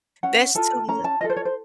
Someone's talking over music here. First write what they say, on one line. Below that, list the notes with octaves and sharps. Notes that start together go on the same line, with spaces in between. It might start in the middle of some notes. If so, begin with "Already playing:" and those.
That's too much
C#4 F#5
F4 A4 A5
C#4 A#5
A5
F4 A4 D#5
C5
C#5
C5